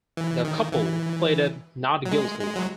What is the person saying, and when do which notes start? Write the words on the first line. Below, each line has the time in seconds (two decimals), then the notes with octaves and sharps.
The couple pleaded not guilty.
0.17 E3
0.45 D#3
0.72 E3
2.06 F#3
2.11 G#3
2.40 G#3
2.56 F#3